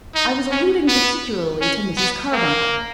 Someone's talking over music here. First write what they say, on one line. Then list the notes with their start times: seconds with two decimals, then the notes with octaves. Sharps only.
"I was alluding particularly to Mrs. Carbuncle."
0.15 D#4
0.51 C#4
0.88 B3
1.61 C#4
1.97 B3
2.33 A#3